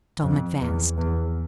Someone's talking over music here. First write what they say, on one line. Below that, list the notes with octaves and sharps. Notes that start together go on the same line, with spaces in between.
Tom advanced.
F2
E2
E2